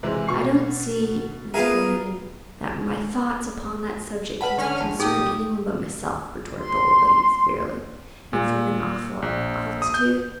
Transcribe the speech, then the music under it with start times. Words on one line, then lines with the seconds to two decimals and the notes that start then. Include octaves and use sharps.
'I don't see, Miss Brandon, that my thoughts upon that subject can concern anyone but myself,' retorted the old lady, severely, and from an awful altitude.
0.03 C3 E3 G#3
0.27 B2 C#6 C7
1.54 B3 F4 G#4 A#4 E5
4.41 B4 F#5 A5 B5
4.58 D3 C#4 F6
4.81 A#1 A5
4.99 D#4 G4 G#4 D#6
6.59 C6
8.33 A#2
9.22 A#1
9.82 D#6
9.94 G6